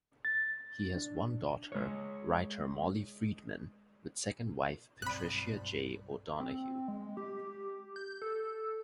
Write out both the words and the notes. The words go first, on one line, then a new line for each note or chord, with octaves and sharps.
He has one daughter-writer Molly Friedman-with second wife Patricia J. O'Donohue.
A6
D4
G#3 C#5
B1 G2 F3 G3 C4 B5 F#6
C4
G#3
G4
G6
A4